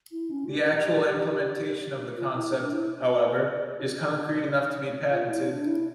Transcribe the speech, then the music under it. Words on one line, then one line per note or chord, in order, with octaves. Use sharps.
The actual implementation of the concept, however, is concrete enough to be patented.
E4
C#4
F4
G4
F4
E4
D4
E4
F4
E4
D4
E4